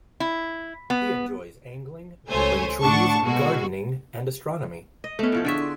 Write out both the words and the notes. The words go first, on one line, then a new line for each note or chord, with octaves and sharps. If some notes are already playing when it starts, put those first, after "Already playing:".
He enjoys angling, growing trees, gardening and astronomy.
E4
B3
C#2 A3 C5 C#5 G#5
A2 D4 F#5 A5 C#6
B2 G#3 F#4
D#5
A3 B3 C#4 A4
A2 F3 C#5
D3 D4 G#4 E5 C#6
C6